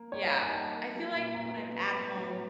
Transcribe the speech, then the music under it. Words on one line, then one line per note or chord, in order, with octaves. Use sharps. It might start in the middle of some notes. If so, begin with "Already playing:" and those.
yeah, I feel like, when I'm at home
Already playing: A#3
G3 C#5
F5
D#4 F#5
G#5
A#3 A5
A#3
F#3
A#2
A#2 A#5
B3
B3
A2
F#3